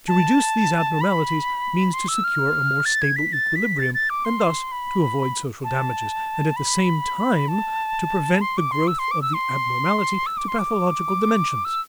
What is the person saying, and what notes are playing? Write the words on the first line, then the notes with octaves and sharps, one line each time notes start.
To reduce these abnormalities means to secure a more stable equilibrium and thus to avoid social damages, and at the same time to prevent the growth of the abnormality to pathological dimensions.
A5
B5
C6
E6
F6
A6
G#6
B6
A6
B6
A6
A6
D6
C6
B5
A5
B5
A5
C6
D6
C6
E6
C6
D6
E6
C6
E6
D6
C6
D6
E6